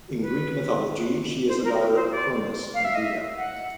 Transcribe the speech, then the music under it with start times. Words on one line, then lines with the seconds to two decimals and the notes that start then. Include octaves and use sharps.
In Greek mythology, she is a daughter of Cronus and Rhea.
0.22 B4
1.48 C5
1.64 A#4
1.79 B4
1.95 C5
2.11 D5
2.74 F5
2.84 E5
2.95 D#5
3.04 E5
3.37 F#5